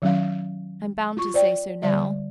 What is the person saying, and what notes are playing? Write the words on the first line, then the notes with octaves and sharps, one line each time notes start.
I am bound to say so now.
D#3 F#3 C#4 F5
F4 C#6
C5 D5 G5
D3 G3 D5 E5